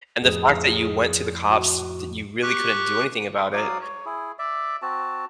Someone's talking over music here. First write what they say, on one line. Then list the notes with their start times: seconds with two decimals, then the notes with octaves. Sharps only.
and the fact that you went to the cops that you really couldn't do anything about it.
0.22 F2 A2 G#4
1.50 F#4
2.43 G4 C#6 F#6
3.37 B5 C6
3.53 F#3 D5 F5 D#6
3.82 C#5
4.05 E4 G#4
4.39 D5 E5
4.82 C4 F#4 A5